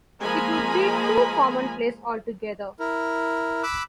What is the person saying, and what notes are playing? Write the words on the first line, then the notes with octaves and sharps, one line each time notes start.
It would be too commonplace altogether.
F3 G#3 A#3 G#5 A#5 B5
E4 A#4
B5 D6 E6 F#6